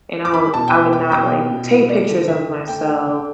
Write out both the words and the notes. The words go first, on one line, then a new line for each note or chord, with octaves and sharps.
and I would I would not, like, take pictures of myself.
D6
E4 B5
B2 A5
G5
B2 E5
E4 G5
B2 G5
B3
B2
E4
A3 D5
D3
D3 E5
D3
A3 G5
D4
D3